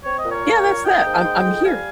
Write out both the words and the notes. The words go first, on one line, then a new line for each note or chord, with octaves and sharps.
yeah, that's that. I'm I'm here,
C4 C#5
D#5
A#2
A#4 C#5
A#3
A#2
A#3 D#5 G5
G#2
G#3
F2
G3 F5 G#5